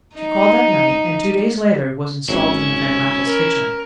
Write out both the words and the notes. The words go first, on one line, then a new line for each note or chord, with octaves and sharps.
She called that night, and two days later was installed in the Van Raffles's kitchen.
D#4
G#1 F#3 C#4 E4
A#4